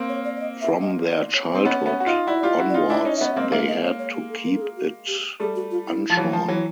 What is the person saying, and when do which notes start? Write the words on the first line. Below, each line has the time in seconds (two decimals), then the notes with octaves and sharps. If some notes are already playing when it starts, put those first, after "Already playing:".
From their childhood onwards they had to keep it unshorn.
Already playing: A#3 C4
0.09 C#5
0.25 D5
0.37 D5
0.40 D#5
0.61 E5
0.82 D#5
1.12 D#5
1.19 D5
1.34 C#5
1.49 C5
1.55 C4
1.65 B3 C#4 D#5
1.85 B3 C#4 E5
2.00 F#4
2.06 D#4 F4 D#5
2.27 E4 F#4 D5
2.39 F4 G4 D5
2.49 D#5
2.59 E4 F#4
2.70 D5
2.74 D#4 F4
2.90 D4 E4 D#5
2.98 E5
3.05 C#4 D#4 D#5
3.16 E5
3.21 B3 C#4 D#5
3.32 E5
3.36 A#3 C4 D#5
3.52 G#3 A#3 E5
3.68 D#5
3.84 C#5
3.99 C#5
4.15 G4
4.30 A4
4.46 A#4
4.56 A4
4.62 G#4
4.77 F#4
5.08 G4
5.40 G3 A3 G#4
5.56 F#4
5.71 F4
5.87 E4
6.10 F3
6.17 E3 F#3
6.33 F3
6.48 E3 F#3